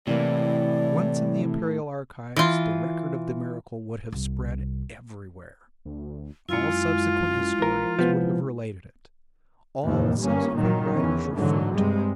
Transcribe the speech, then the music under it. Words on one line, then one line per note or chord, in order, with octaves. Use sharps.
Once in the imperial archives, the record of the miracle would have spread everywhere; all subsequent historians would have related it, all subsequent writers referred to it.
A2 C3 E3 A#3 D5
E3 F4
C2
D2
F#2 G#3 E4 F4
A#1 A#4
C3 F3 B3
F1 D#2 A2
G1 G2 A#3 C#4
A#2 D#3 F#3
E2 C#4
G#2 D3 E3 F#3
G2 C3 G3 G#3